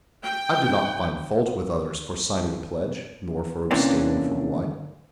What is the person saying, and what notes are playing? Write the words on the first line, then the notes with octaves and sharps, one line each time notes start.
I do not find fault with others for signing a pledge, nor for abstaining from wine.
G5
C3 E3 A#3 C#4 D4